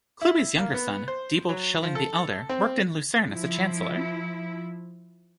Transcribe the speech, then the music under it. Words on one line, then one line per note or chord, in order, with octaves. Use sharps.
Klewi's younger son, Diebold Schilling the Elder worked in Lucerne as a chancellor.
E4
A#3
B3
C5
F#3
F3
A4
C4
F3 E4